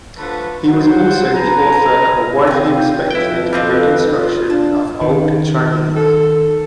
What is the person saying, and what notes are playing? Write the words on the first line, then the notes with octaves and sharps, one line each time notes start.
He was also the author of a widely respected reconstruction of Old Chinese.
D3 F3 A3 A4 B4
F#3 C5 F#5
A4 B4 G#5 A#5
C3 F4 G#4 G5
F2 E4 B4 G5
G3 C4 A4 D#5 F5
F4
D4 A5
D#3
A4